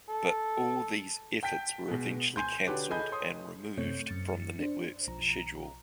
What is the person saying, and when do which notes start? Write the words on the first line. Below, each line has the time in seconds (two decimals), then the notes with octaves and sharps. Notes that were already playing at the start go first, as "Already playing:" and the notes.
But all these efforts were eventually canceled and removed from the network's schedule.
0.09 A4
1.43 G5 A5 G6 B6 D7
1.88 B2 G#3 B3
2.36 G#5 C6 G6
2.67 D3 D4 F#4 G4 B4 C#5
2.90 G#4 A4 D#5 G#5 B5 G6
3.12 C#5 C6 D#6
3.78 F#2 C3 A3 C4 C#5 G6
4.06 F#2 A6 C#7
4.59 D4 C5
5.07 B1 F3 A#5